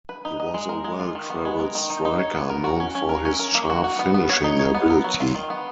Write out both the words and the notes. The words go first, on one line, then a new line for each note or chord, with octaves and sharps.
He was a well-travelled striker known for his sharp finishing ability.
B4
D#4
D#5
G#3
A#4
G#3
F4
D#3
B3
G#3
A#4
D#3
D#4
D#4
C#5
B3
A#4
F#4
C#4
C#4
A#4
C#4
A#4
A#3
F#4
F#4
B3
B3
C#5
D#4
C#5
B3
A#4
F#3
F4
D#3
B3